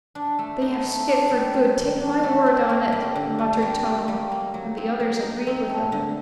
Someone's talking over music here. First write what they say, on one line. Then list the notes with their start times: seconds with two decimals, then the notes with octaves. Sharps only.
"They have skipped for good, take my word on it," muttered Tom, and the others agreed with him.
0.15 D4
0.39 A3
0.62 D#4
0.85 A3
1.08 D4
1.30 G3
1.54 F#3
1.77 D#3
2.00 D4
2.23 A3
2.46 C4
2.69 A3
2.92 G3
3.15 D3
3.39 D4
3.62 G3
3.85 A#3
4.08 G3
4.32 A#3
4.54 F#3
4.77 C4
5.00 F#3
5.23 D#4
5.47 C4
5.69 A3
5.92 D3